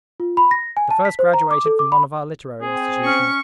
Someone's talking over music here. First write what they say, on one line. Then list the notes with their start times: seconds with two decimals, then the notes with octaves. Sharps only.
The first graduated from one of our literary institutions.
0.20 F4
0.37 B5
0.51 A#6
0.77 G#5
0.91 A5
1.05 B6
1.19 C5
1.33 A#5
1.51 D6
1.66 A4
1.79 D6
1.92 B5
2.61 C4 G#4
3.05 C#4 C#6